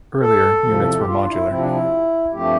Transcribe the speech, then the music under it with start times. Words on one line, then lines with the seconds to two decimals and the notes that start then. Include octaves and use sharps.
Earlier, units were modular.
0.20 A4
0.63 E2 C3 F3
0.97 G4
1.06 F4
1.18 D4
1.27 E4
1.48 C3 F3 C4 E4
1.58 D4
1.69 E4
2.32 G2 F3 A3 C4 G4